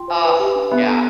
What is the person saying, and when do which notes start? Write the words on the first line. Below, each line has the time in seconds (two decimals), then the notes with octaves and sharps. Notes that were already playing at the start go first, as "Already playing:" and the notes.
Ugh, yeah.
Already playing: F4 G5 C6
0.08 C5
0.24 B4
0.40 G4
0.56 D4
0.71 B3 E5
0.87 A4